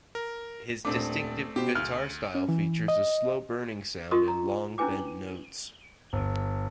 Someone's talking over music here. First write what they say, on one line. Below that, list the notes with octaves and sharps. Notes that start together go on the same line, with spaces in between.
His distinctive guitar style features a slow-burning sound and long bent notes.
A#4
D#1 A3 C4 D4 D5 D6
B2 G4 C5
D2 F6
C#4
E3
D#5
F4 A#4 D#5 C6 C#6 D#6
A#5
C#4 D4 E4 B4 G#5 D6
G1